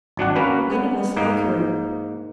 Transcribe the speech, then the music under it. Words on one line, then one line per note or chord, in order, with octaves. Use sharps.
"None of us like her."
G#1 F#3 D4 F#5
A#3 C#4 F#4 B4
B3
G#2 A#3 D#4